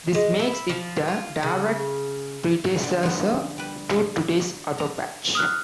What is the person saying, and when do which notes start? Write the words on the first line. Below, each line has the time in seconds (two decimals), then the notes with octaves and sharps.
This makes it a direct predecessor to today's autopatch.
0.15 G#3
0.39 E4
0.69 F3
1.08 F4
1.43 C#3
2.83 D3
3.03 F3 B3
3.58 G3 B4
4.78 A#5
5.35 D#6 F6 F#6